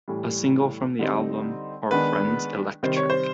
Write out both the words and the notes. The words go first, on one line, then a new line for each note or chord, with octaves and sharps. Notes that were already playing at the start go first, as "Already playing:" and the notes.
A single from the album, Are Friends Electric?
A2 E3 G3
D3 G3 C4 D#4
D#3 G#3 B3 D4 B4
C3 D#3 G3 C5
C#5
C5